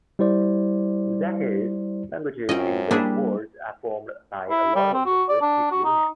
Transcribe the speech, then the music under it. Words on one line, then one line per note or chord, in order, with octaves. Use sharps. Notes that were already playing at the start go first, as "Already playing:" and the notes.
That is, languages in which words are formed by a lot of linguistic units.
G3 E4 C5 D5
F#2 C4 C#4 F4 D#5
G3 A#3 D4 E4 G#4
E4
G3
C4
F#4
D5
D4
F#4
D#4